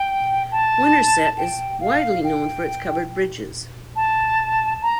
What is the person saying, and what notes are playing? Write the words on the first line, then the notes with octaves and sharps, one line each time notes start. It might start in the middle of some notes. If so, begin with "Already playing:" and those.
Winterset is widely known for its covered bridges.
Already playing: G5
A5
G5
F5
G5
A5
A#5